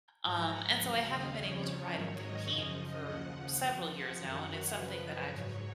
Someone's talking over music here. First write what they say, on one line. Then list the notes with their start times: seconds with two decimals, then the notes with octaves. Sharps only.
um, and so I haven't been able to ride and compete for several years now, and it's something that I've
0.24 G#2 F3 A#5
0.52 F#5
0.80 D#2 C#3 F#3 F5
1.08 D#5
1.36 F2 C#3 F3 C#5
1.64 C#5
1.93 G#2 D#3 F#3
2.20 D#5
2.49 F#2 C#3 F3
3.04 D#2 C#3 F3 F#5
3.61 F2 F3
3.89 F#5
4.17 F#2 D#3 F#3
4.45 C#5
4.74 F#2 C#3 F3 B4
5.01 B4
5.30 G#2 F#3 C#5